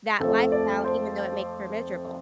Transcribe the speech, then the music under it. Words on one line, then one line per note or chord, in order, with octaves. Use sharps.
that lifestyle, even though it makes her miserable.
F2 F3 A3 A4
D5
C5